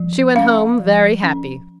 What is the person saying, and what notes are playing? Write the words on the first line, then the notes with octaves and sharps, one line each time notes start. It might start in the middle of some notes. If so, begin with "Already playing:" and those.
She went home very happy.
Already playing: F3
C#4 F5
F3
C#4